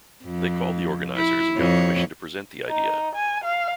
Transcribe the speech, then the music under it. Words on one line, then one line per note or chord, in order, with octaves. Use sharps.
They called the organizers and got permission to present the idea.
F2
E4
F2 C#5
D#4
G#5
F5